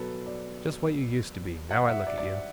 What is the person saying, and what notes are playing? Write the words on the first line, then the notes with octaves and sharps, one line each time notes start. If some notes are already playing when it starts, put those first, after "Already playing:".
Just what you used to be, now I look at you!
Already playing: B2 F#3 A4 B4
D5
F#5
E5
D5
D5
E5